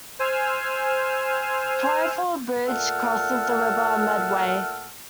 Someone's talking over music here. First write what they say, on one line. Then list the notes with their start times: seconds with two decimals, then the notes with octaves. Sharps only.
Twyford Bridge crosses the River Medway.
0.19 C5 G#5 E6 F6
2.67 A#2 A3 F#5 A5 E6 F6